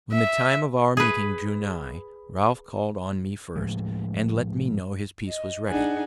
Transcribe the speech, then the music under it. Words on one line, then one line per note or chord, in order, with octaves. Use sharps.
When the time of our meeting drew nigh, Ralph called on me first, and let me know his piece was ready.
E5
G#4 B4
A2 F3 G#3
D#5
D4 D#4 G#4 F#5 G#5